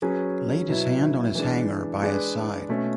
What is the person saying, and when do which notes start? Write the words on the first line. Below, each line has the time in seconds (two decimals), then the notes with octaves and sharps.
Laid his hand on his Hanger by his side.
0.02 F#3 C#4 G#4 B4
0.69 B2 F#3 B3 E4
1.35 E3 G#3 D4
2.02 G#3 D4 G#4 B4 D5
2.69 B2 A3 C#4